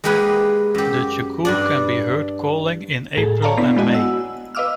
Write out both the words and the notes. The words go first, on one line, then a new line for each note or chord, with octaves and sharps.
The cuckoo can be heard calling in April and May.
G#3 A#3 G4 G#4 B4
F#2 G4
G2 D4 D5
A2 G#4 A4
C#5 D5 F5 A5 A#5
B3 D4 E4 B6
G#3 B3 F#4 D#5 G#5
F#5 E6
B4 D#5 F5 D6 E6 F6